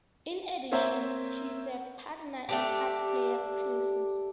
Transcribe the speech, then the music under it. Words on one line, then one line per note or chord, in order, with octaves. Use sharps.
In addition, she is a partner in Card Player Cruises.
A#3 C4 C5 C#5 E5 A#5
A3 D4 G4